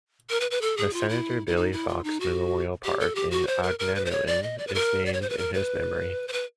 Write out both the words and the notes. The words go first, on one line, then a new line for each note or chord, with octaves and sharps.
The Senator Billy Fox Memorial Park in Aughnamullen is named in his memory.
A#4
B4
B4
A4
G#4
F4
E4
E4
D#4
E4
F4
D#4
F#4
G4
A4
G4
F#4
C5
A#4
A#4
B4
C5
C#5
D5
D#5
D5
B4
A#4
D5
C#5
C5
B4
A#4
B4
C5
B4